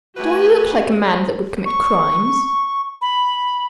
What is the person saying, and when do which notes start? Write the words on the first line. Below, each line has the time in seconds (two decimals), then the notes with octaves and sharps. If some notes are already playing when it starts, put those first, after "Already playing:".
"Do I look like a man that would commit crimes?"
0.16 A3 F#4 G4 B4 G#5
1.65 C#6
3.01 B5